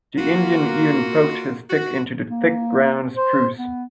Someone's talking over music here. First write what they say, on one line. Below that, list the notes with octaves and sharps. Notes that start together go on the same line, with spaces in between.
The Indian even poked his stick into the thick ground spruce.
A#3 F4 F#4
F#4
A#3
C5
B3